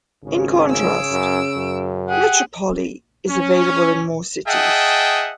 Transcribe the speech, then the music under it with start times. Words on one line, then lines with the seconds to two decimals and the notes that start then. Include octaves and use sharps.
In contrast, "Metropoli" is available in more cities.
0.24 G#1 C#3 G#4
0.71 E6 D7
1.11 F#2
1.56 F#2
2.09 G4 G#4 F#5
3.29 C#4
4.48 G#4 D#5 E5 F#5 G5 A5